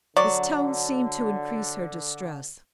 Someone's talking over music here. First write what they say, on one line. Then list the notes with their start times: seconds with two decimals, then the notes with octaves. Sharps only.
His tone seemed to increase her distress.
0.17 D3 F#3 D5